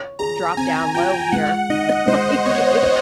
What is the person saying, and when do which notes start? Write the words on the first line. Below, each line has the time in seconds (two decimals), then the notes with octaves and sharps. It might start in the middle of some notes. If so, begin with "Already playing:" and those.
"drop down low here." Like, if
Already playing: C#5
0.19 G#4 A#5
0.57 C4 G#5
0.95 F4 G5
1.32 G#3 F#5
1.69 D#4 D#5
2.07 G#3 C5
2.45 B3 C#5
2.83 C5